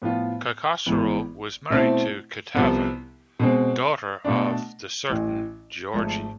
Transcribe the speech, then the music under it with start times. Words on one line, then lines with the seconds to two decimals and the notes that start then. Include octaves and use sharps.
Kaikhosro was married to Ketevan, daughter of the certain Giorgi.
0.02 A2 F3 B3 F4
0.86 G#1 G#2 E3 B3
1.70 B2 A3 C4 E4
2.55 C2 C3 F3 B3
3.40 B2 G#3 C4
4.25 B2 A3 D4
5.09 A1 A2 E3
5.93 G#1 G#2 F3 A3